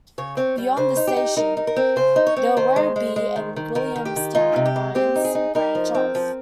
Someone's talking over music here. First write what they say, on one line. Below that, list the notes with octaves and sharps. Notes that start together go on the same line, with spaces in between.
Beyond the station, the Werribee and Williamstown lines branch off.
C#3 C#5
C4 C#5
G3
C#3 C5
D#4
G4
D#4
D#4 A#4
D#4
A#4
C4
C#3 C5
D#4
C#5
C4
D#3 C5
G#3
G#3
G#3
D#3
D#3
D#3 A#4
D#3
G4
D#3
D#4 F4
C3
G4
G#3
C4 G4
D#4
G#4
D#4
D#4 A#4
F3
C4
F3